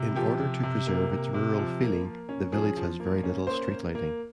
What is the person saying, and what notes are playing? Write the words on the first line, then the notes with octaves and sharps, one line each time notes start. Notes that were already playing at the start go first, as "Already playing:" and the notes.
In order to preserve its rural feeling the village has very little street lighting.
Already playing: C3
F3 G4
C3
C3
A#3
C3
C3
F3
A#3
A#3
C#4
F3 G#4
F3
A#3
C#4
A#3 C5
A#3
A#3